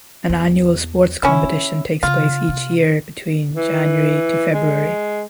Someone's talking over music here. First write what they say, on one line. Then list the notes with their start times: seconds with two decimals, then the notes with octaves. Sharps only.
An annual sports competition takes place each year between January to February.
0.29 E2
1.23 C#3 C#4 E4
1.43 D#3
2.03 C#3 F4
2.49 C3
3.55 E3
4.55 G#3